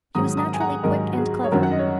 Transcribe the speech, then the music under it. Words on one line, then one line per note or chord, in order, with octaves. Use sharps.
She was naturally quick and clever.
G#2 D#3 F#3 A#5 D#6
A#5 D#6
G#5
F#5 A#5
G#2 D#3 F#3 A#4 D#5
F#4
G#4
C#5
F#2 D#3 F#3 F#4 A#4
F#5
D#5
C#5